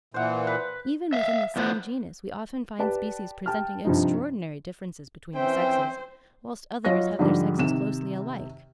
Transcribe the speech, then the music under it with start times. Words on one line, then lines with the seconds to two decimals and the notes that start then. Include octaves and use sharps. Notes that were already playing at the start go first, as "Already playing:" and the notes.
Even within the same genus we often find species presenting extraordinary differences between the sexes, whilst others have their sexes closely alike.
0.14 A#2 E3 C5 F#5
0.47 B4
1.13 E5 F5
1.56 E2 B2 F3 B3 C5 F#5
2.79 G4 B4 D5 A5
3.46 G5 A5 F6
3.85 G2 C3 F3 C4 D#4
5.36 E3 C4 C#4 C5 E5 G5
6.85 F#3 F4 C#5 D#5 A#6
7.19 G#2 D3 F3 G3
7.58 C3 D#3 E7